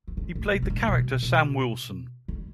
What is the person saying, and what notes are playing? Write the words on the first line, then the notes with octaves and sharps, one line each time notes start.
He played the character Sam Wilson.
E3
D3
A2
B2
G2
A2
B2
B2
D3